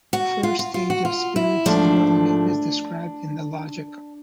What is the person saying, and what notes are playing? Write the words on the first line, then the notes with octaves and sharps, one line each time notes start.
The first stage of Spirit's development is described in the Logic.
F#4
F4
F4
F4
F#4
F4
E4
G#2 F3 A3 D4